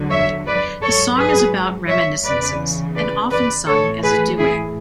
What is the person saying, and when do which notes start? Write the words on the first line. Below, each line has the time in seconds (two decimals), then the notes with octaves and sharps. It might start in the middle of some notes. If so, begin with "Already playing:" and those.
The song is about reminiscences, and often sung as a duet.
Already playing: E2 D3 F#3
0.10 C#5 E5
0.46 B4 D5
0.82 G#2 F#3 A4 C#5
1.18 G#4 B4
1.89 C#5 E5
2.24 E2 C#3 E3 B4 D5
2.96 B4 D5
3.31 B4 D5
3.67 A2 E3 A4 C#5
4.03 G#4 B4
4.38 E4 G#4